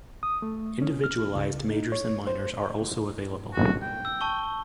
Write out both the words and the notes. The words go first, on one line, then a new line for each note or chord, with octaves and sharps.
Individualized majors and minors are also available.
D#6
A3
C#4
F6
C#2
D#4
C#5
C5
F#4
G5
E6
A5 C#6 G7